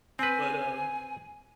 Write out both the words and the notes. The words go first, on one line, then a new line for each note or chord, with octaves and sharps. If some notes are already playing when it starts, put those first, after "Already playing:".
But, um
C4 B4 G#5